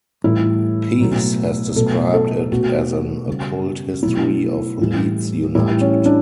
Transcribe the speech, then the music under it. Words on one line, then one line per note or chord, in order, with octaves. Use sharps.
Peace has described it as an "occult history of Leeds United".
A2 E3 G3 E4
B2 F#3 A3
B2 F#3 A3 A4
A4
B2 A3 F#4
C#3 G3
B2 F#3 A3 E4
A2 E3 G3
A2 E3 G3 E4
C#4
D4